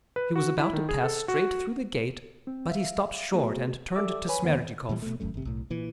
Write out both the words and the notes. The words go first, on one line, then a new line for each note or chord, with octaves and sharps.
He was about to pass straight through the gate, but he stopped short and turned to Smerdyakov.
B4
F#4
E4
D#3
G#4
A4
F#4
C4
E5 F5
A3 B3 F#4 G#4
G4 A4 D5 E5 D6 E6
B4 C#5 G#5 B5
F2 D#3 A#3 B3 C5 F#5
A#2 E3 G3
B2 A3
D1 G#1 F#2 A3
G1 C3
B1 A2
A#2 E3